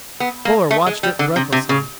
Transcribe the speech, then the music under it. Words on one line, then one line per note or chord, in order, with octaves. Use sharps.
Fuller watched it breathlessly.
B3
A#3
A3
G#3
G3
D3
C3
C3
C#3